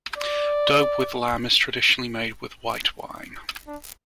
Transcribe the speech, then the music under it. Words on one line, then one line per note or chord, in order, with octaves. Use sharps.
Daube with lamb is traditionally made with white wine.
D5
D4